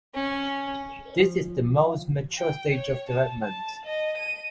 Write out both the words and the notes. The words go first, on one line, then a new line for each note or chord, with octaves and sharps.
This is the most mature stage of development.
C#4
F3
G5
C#5
A5
A5
D#5
D#7